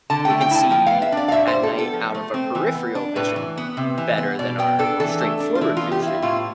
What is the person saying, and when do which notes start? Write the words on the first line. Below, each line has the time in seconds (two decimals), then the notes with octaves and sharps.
we can see at night out of our peripheral vision better than our straightforward vision,
0.10 D3 A5
0.25 A3 G5
0.41 G5
0.51 E4 A5
0.71 F3 G5
0.86 F5
0.92 B3
1.02 E5
1.12 D4 D5
1.28 F5
1.32 A2 E5
1.47 C5
1.53 G3
1.63 A4
1.73 B3
1.78 A4
1.93 F3
2.15 A3
2.34 C4
2.55 E3
2.75 B3
2.95 D4
3.16 A2 B4
3.36 E3
3.57 B3
3.77 C3
3.98 E3
4.18 B3
4.39 B2 D5
4.59 B3 G5
4.79 D4 A4
5.00 E3 A4
5.21 A3
5.40 D4
5.55 F4
5.61 E3 E4
5.77 B3 F4
5.92 G4
6.02 E4
6.08 F4
6.22 A2 F4